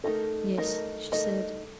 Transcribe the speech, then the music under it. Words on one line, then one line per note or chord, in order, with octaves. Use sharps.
"Yes," she said.
A3 D#4 A4 A#4 D#5
A3 D#4 A#4 D#5
A3 D#4 A4 A#4 D#5